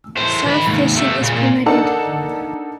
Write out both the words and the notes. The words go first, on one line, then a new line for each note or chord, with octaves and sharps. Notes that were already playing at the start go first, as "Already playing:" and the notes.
Surf fishing is permitted.
A2 C5
D#3 B5
D#2 G#2
C3 A3
A#2 C#3
A#2
A#3 D4 D#4 A4 F#5 A5